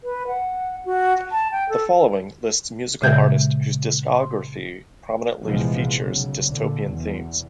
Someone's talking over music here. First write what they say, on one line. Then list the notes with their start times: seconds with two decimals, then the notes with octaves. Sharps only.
The following lists musical artists whose discography prominently features dystopian themes.
0.04 B4
0.27 F#5
0.85 F#4
1.32 A5
1.52 G5
1.69 A4
3.02 A#2 C#3 G#3 E5 G6 G#6
4.14 C6
5.43 C2 A#2 E3 F3 G#3 B3
6.02 B1 C#3
6.48 A#2 D3
6.90 E2 B2